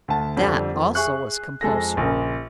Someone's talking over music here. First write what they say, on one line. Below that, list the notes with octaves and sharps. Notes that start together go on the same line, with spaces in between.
That also was compulsory.
D2 A5
F2 D3 G3
F2
G#4 E5 C#6 F#6
F2 G#3 A4 A#6
A#1 C#3 A#4